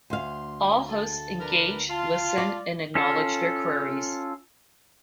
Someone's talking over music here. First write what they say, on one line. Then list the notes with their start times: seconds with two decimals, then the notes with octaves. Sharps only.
All hosts engage, listen and acknowledge their queries.
0.10 D2 F5 C6
0.88 A4
1.40 D4 A#4 B4
1.90 F4 A5
2.38 D5
2.95 C#4 F4 A4